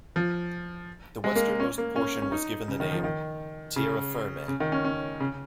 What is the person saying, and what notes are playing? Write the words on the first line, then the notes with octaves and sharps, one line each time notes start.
The westernmost portion was given the name "Tierra Firme".
F3
G#3
A#3
C#4
A#3
C#4
C#4
D#4
C#3
D#3
F3
D#3
C#3
C#3
D#3
C#4
C#4
C#3